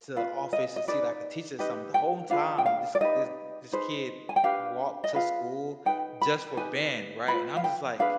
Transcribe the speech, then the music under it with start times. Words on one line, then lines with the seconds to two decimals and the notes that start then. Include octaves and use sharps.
to office to see, like, a teacher or something. The home time, this this this kid walked to school just for band, right? And I'm just like
0.16 F4 B4 F5
0.53 D#5
0.76 D#5
0.88 D#4 G#4 B4 D5
1.59 D#4 G4 B4 D#5
1.94 G5
2.30 D4 F4 G#4 B4 F5
2.58 G5
2.66 F5
2.95 D5
3.01 D#4 G4 B4 D#5
3.72 D#4 G#4 B4 C5
4.29 G#5
4.36 G5
4.43 D4 G4 B4 F5
5.04 D#5
5.14 F4 G#4 B4 F5
5.86 D#4 B4 G5
6.22 B5
6.57 D#4 G4 B4 G#5
7.28 F4 B4 B5
7.57 F5
7.64 G5
7.99 D4 G#4 B4 F5